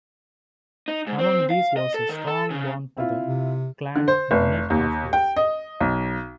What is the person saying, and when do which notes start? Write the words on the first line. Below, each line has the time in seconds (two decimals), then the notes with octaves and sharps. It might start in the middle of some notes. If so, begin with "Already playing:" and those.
Among these was a strong bond to the Clan Burnett of Leys.
0.88 D#4
1.07 G#2
1.19 C4
1.50 F5
1.77 D#5
1.94 A4
2.09 D#3
2.27 A4
2.50 C#3
2.97 C4 E4 F4
3.27 C3
3.96 D3
4.08 C5
4.31 F1
4.70 D#2
5.13 G5
5.37 D#5
5.80 B1